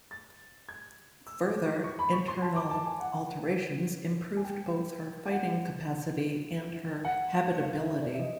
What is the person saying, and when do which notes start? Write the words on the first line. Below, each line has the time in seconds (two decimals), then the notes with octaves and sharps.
Further internal alterations improved both her fighting capacity and her habitability.
0.11 A6
0.69 G#6
1.27 E6
1.46 D6
1.84 C#6
1.99 B5
2.13 C#6
2.28 C6
2.42 A5
2.56 D6
2.71 A5
2.86 G#5
3.00 F#5
4.37 G#5
4.44 G5
5.31 F#5
7.05 F#5
7.63 F5
7.81 E5
8.01 D5
8.14 E5
8.20 D#5